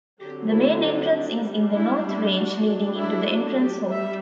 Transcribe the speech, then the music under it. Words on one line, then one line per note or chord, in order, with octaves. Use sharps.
The main entrance is in the north range, leading into the Entrance Hall.
D3 F#3 C4 G4
E4
D4
D4
G3 D4
E4
E4
F#4
F#3 A3 D4
E4
G4
G3 E5